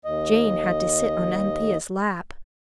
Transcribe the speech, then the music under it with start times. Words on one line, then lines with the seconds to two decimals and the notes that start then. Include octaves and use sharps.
Jane had to sit on Anthea's lap.
0.05 D#2 D#5